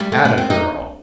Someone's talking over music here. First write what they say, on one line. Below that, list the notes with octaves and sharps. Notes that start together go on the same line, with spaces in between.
Atta girl!
G3
A3
B3
C4
D#4